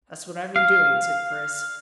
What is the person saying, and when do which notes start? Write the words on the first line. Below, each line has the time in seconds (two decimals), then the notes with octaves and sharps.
"That's what I've been doing," said Chris.
0.56 F5